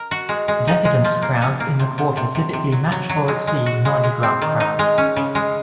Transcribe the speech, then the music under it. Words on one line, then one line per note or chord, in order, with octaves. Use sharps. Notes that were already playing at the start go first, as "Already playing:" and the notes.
Decadence crowds in the Quarter typically match or exceed Mardi Gras crowds.
Already playing: A#4
F#4
G#3
G#3
D#4
G#3
F3
A#3
C#4
A#3
C3
C3
C3
C3
C3
F#3
F#3
F#3
G#3
G#3
F#4
G#3
G#3
C4
D#3
D#4
G#3
C#4
C#3
G#3